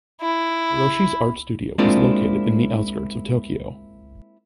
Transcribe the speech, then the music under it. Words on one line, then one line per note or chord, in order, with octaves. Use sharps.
Haroshi’s art studio in located in the outskirts of Tokyo.
E4
G#3 A#3 C4 D4 E4 F4